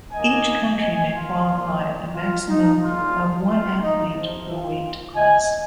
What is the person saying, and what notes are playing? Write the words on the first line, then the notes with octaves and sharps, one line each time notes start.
Each country may qualify a maximum of one athlete per weight class.
D#2 D#3 A#3 D#5 G#5
D#5 G#5
F4
C2 A#2 F3 A#3
F4
D#4
C2 A#2 G#3 F4
F4
D#4
F2 C3 F3
F4
D#5 G#5